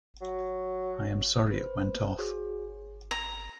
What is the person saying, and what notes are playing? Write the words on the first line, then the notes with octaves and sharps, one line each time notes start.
I am sorry it went off.
F#3
B4 C5
F#4 G#4 C#5
A#5